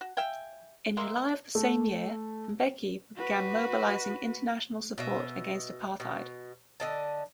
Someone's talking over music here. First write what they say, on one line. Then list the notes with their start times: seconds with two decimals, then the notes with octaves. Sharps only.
In July of the same year, Mbeki began mobilising international support against apartheid.
0.01 F#4
0.17 E5 F5 G5 G#5
0.97 G#3 A#3 E5 C6
1.55 A3
3.16 F#4 B4
4.98 B2 D#5 E5
6.00 B2
6.80 D3 D#5 A5